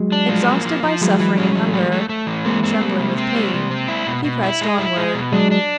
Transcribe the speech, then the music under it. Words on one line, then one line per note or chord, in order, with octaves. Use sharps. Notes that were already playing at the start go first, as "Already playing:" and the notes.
Exhausted by suffering and hunger, trembling with pain, he pressed onward.
Already playing: F#3 G#3
D4
F3
A#3
F3
F3
E3 F#3 G#3
E3
C#4
E3
A3
A3
A3
E3
G#3 A#3 C4
C4
G3
C3
C4
G3
C3
C4
E4
B2
B2
E4
G#3
E4
G#3
B2
F#3 G#3 D4
D4